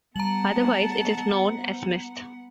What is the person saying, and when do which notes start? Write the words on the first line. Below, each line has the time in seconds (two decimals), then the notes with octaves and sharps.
Otherwise it is known as mist.
0.16 G3 B3 F#5 A5 A#5 F#7